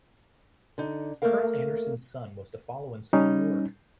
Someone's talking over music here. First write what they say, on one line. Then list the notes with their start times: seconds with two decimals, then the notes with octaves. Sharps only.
Colonel Anderson's son was to follow in similar work.
0.78 D3 D#4
1.22 A3 A#3 A4 A#4 F5
3.13 G3 C#4 D#4